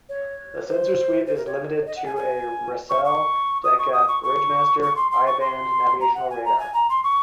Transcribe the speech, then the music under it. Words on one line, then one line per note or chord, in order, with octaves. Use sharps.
The sensor suite is limited to a Racel Decca Bridgemaster I-band navigational radar.
C#5
C5
C5
A#4
C#5
D#5
F#5
G#5
G#5
C#6
C#6
D#6
C#6
D#6
C#6
C#6
C#6
C6
C6
C#6
C6
A#5
F#5
G#5
A#5
G#5
A#5
C6
C#6